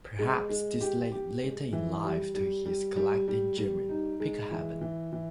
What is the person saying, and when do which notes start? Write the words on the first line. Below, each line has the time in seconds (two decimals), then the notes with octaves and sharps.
Perhaps this led, later in life, to his collecting German "Pickelhauben".
0.19 G#3
0.49 G#3
0.81 G4
1.12 G4
1.43 G#3
1.73 E3
2.04 G3
2.35 G3
2.66 G3
2.96 G3
3.28 G3
3.58 G3
3.89 D#4
4.20 G#3
4.51 E3
4.81 E3
5.13 E3